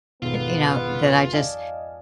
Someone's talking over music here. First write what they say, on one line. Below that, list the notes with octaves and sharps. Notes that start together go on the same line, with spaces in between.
you know, that I just
G#1 F2 B2 B3 F4
D5 D#5 F5 G#5 A5